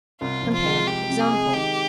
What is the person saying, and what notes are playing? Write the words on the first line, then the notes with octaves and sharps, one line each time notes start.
Compare EXAMPLE.
C2 F4
F3
F4
G#3
G#3 G4
C3
G#4
G#3
D#3 G4